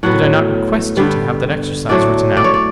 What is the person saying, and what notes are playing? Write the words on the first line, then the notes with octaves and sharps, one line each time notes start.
"Did I not request you to have that exercise written out?"
A2 F#3 B3 F#5
G2 D3 G3 B3
A2 F#3 A3 D5
D5
C#5
D5